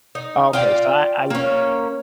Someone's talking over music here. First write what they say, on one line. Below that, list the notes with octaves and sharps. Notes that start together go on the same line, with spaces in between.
Okay. So I I
D#4
F4 D5 G5
A#3 C#4